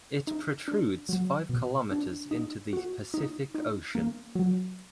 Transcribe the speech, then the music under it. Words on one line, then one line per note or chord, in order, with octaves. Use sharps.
It protrudes five kilometres into the Pacific Ocean.
D#4
D4
F#3
B2
D4
D#4
F#4
D#4
D#4
A#3
F#3